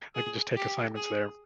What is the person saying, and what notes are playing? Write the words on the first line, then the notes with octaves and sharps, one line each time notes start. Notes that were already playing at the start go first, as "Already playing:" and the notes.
I can just take assignments there,
G#4
G4
G#4